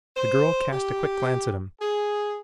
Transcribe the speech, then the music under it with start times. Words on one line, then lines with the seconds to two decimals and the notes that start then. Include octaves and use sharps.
The girl cast a quick glance at him.
0.16 C5
0.71 G4
1.81 G#4